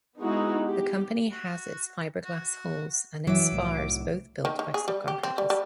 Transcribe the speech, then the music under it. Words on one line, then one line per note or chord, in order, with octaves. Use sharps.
The company has its fiberglass hulls and its spars both built by subcontractors.
G#3 B3 D#4 E4 F#4
G4
F#4
F#4
E3 F#3 E5 D6
C2 A2
D#3
D#3
G#4
G3
G4
C4
G3
G3